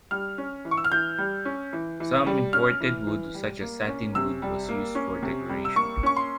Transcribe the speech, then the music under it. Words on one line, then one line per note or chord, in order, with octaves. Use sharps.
Some imported wood such as satinwood was used for decoration.
G3 F6
C#4
E3
C#6
E6
F6
E3 G6
G3
C#4
E3
E3
G3
C#4 F6
E3
E3
G3
A#3
C#4
C3 E6
G3
A#3
C#4
C3
G3
E6
A#3 C#6
C#4 C#6
C6